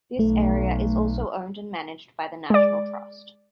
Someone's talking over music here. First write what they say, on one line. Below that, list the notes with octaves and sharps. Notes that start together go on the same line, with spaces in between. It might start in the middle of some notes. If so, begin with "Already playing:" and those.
This area is also owned and managed by the National Trust.
B1 A3
G#3 D5